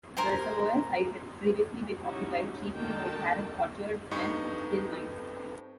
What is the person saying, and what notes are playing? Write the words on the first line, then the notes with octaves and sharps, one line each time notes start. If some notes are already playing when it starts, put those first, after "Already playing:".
The reservoir site had previously been occupied chiefly by carob orchards and tin mines.
A#4 C5 G#5
C#4 D#4 E4 F#4 G4
D3 D#3 A#3 G5 A5
G2 C4 D#4 A4 B4 C#6